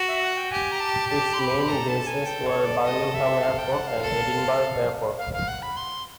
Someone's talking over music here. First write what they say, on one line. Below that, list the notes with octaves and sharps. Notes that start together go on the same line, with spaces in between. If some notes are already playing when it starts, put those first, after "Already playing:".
Its main bases were Birmingham Airport and Edinburgh Airport.
Already playing: F#4
E5
F#5
G5
G4 G#5
A#5
A5
A5
C6
B5
A4 A#5
A5
G#5
G5
C#5
D5
D5
D#5
E5
F5
G5
F#5
F5
A4
F5
F5
F#5
B5
C6